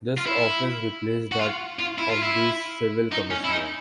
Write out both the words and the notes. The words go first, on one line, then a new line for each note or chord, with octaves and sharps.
This office replaced that of the Civil Commissioner.
F4
E4
F#4
F4
F4
E4
F4
E4
D#4
C#4
E4
D#4